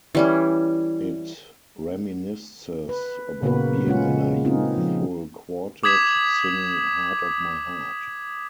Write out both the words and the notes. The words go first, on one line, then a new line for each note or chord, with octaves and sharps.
It reminisces about being in a youthful quartet, singing "Heart of My Heart".
E3 G3 C#4
B4
A#2 C#3 A#3 B3 F#4 B4
G#3 C#4 F4 F#5
C#3
A#3 C4 D#4 F4 G#4
F3
D6 D#6 G#6 B6 E7